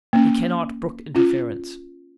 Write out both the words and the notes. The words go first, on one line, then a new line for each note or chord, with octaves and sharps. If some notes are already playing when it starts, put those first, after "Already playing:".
He cannot brook interference.
A#3 C#4
C#4 F4